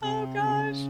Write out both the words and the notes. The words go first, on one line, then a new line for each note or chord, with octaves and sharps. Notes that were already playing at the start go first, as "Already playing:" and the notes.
Oh gosh.
C3
C#3
C3
C#3